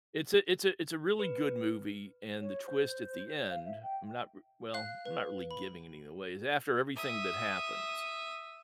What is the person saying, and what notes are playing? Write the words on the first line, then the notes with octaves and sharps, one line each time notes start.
It's a it's a it's a really good movie, and the twist at the end- I'm not r well, I'm not really giving anything away- it's after everything that happens
B4
C#5
C5
F5
E5
G5
F5 F#6
B4
B5
E5 D#6